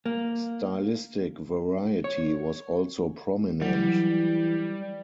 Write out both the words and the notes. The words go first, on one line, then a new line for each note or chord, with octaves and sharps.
Stylistic variety was also prominent.
A#3
C#5
E3 F#3 G3